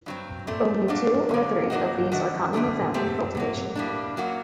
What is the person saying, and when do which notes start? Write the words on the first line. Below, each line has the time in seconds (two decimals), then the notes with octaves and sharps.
Only two or three of these are commonly found in cultivation.
0.06 G2 F#3 C4
0.47 A#2 A3 C4
0.88 F#3 A#3 D4
1.29 D3 F#3 A#3
1.70 A#2 F#3 A#3 D#4 F#4
2.12 D#3 A3 D4 F#4
2.53 F#2 D3 A3 D4
2.94 F#3 A3 C4 G4
3.35 C3 F#3 A#3
3.75 A2 G3 A#3 D4
4.17 F#2 F#3 A#3 F#4